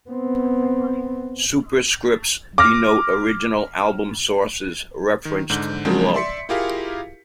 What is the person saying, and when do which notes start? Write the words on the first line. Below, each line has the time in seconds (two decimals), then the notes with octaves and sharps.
Superscripts denote original album sources, referenced below.
0.10 B3 C4
2.58 D6 F6 A#6
5.25 D#3
5.50 G#2 D3 G6
5.85 C#3 F3 F#3 G#3 C4 D4
6.14 D5 E5 C6 B6 C#7
6.49 E4 F4 G4 G#4 A#4 F5